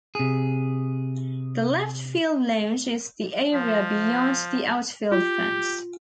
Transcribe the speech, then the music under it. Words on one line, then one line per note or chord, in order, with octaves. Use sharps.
The Left Field Lounge is the area beyond the outfield fence.
C3 G#4
F3
F4 G4